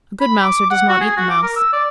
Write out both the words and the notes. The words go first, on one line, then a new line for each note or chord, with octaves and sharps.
A good mouser does not eat the mouse.
B5
D6
F#5
F#4
G#4
F#4
D6
A#4
E6
D5